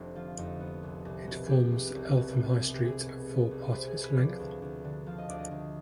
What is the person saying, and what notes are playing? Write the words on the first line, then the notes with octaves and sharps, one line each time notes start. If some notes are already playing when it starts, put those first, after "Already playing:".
It forms Eltham High Street for part of its length.
Already playing: F1 F2 D3
F3 F4
F2 D#4
B3
C2
C2
B2
B3 G4 G#4
C2
C2
B2
B3
C2
G4
C2 G#4
B2
B3
C2
C2 B4 C5
G#4
B2
B4
F3 D5
D2
D2
D3
F3 F5
D#5
D2 D5
D#5
D2